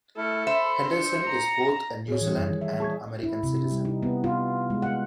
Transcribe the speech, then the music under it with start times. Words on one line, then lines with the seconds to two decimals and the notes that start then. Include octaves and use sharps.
Henderson is both a New Zealand and American citizen.
0.17 A3 E4 A4 F6
0.47 C5 E5 B5
0.90 D4 C#7
1.23 A#5
2.08 A2 G#4 C#5
2.21 E3 G3
2.37 F#2
2.49 D#3
2.61 E5
2.80 G#4 A5 C#6 G#6
3.23 E4
3.43 C3
3.71 G3
3.85 D#4
4.03 B3
4.24 F4
4.70 G#3
4.82 F#5